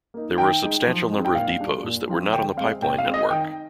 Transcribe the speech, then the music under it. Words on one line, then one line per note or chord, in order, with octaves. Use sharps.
There were a substantial number of depots that were not on the pipeline network.
A#3 D#4
D#3 G5
G#3 D#4
F3
G#3 C4 D#4
G5
A#2 F5
G3 D4
A#2
F3 C4 F4
D3 G5
G#3 C4 F5
A#2 G5
F5
G#3 C4
D#5
D#3 G5